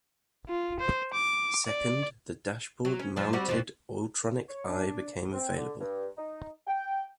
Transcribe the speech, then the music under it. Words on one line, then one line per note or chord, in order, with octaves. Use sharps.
Second, the dashboard-mounted "Autronic Eye" became available.
F4
C5
D6
D5
F#3
C#4
G2 F3
G3 C4 F#4
F2 B2 F3
C#5
D4
C4
D3
G2
D#4
G5